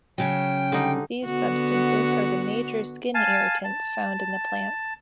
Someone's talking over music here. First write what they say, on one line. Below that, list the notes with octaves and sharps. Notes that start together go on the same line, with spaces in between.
These substances are the major skin irritants found in the plant.
C#3 F#3 G5
D3 G3 D#4
D3 B3 F#4
F5 G#5 A5
A5